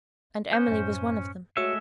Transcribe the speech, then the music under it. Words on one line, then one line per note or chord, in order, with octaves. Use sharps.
And Emily was one of them.
C#4 C5 G6
F#2 A2
G#3 A3 F#4 C#5 E5 C#7